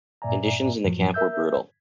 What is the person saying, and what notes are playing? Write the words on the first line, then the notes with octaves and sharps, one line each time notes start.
Conditions in the camp were brutal.
G2 A#2 D5 E5 G#5 A#5
F#2 A2 F3 F#3
A#4 E5 E6 G6